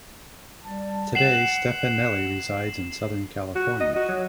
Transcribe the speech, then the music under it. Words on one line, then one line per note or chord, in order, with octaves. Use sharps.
Today, Stefanelli resides in Southern California.
G3 A5
F#5 C7 E7 F#7
F#4
D#5
F#4
F#3